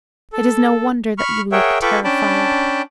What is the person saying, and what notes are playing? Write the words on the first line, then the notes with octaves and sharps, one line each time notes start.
It is no wonder that you look terrified.
A4
B5 C#6 F6
G#4 A#4 C#5 E5 F#5 G5
F4 A4 B4 G5 C#6 D6
C#4 D4 G5 A5 B5